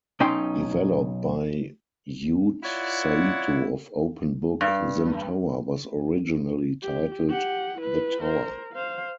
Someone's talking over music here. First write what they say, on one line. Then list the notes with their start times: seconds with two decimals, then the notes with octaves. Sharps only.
Developed by Yoot Saito of OpenBook, "SimTower" was originally titled "The Tower".
0.20 B1 C#4 D#4 G5 C6
2.63 E4 F4 C#5 D5 F#5
4.61 G2
6.83 G4
7.29 G4 F#5
7.79 E4 B4
8.21 A#4 C5
8.73 C5 F5